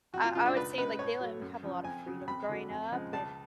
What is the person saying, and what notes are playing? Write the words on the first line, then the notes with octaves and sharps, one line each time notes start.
I I would say, like, they let me have a lot of freedom growing up, and
F2 F#4
F4
C#3 G#3 F4
D4
C#2 B4
C#3 G#3 B4
A2 C#5
F#3 A3
F#2
C#3 F3
F2 G#5
C#3 F#3
F2 B5
D3 F#3
F2
C#3 F3 G#3
C#2 A5